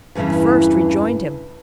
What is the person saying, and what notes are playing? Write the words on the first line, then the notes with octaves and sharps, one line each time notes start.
The first rejoined him.
E2 G2 A#2 C#3 E3